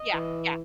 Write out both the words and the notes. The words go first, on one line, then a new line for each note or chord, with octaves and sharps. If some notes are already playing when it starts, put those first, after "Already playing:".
Yeah, yeah.
Already playing: D#5
E3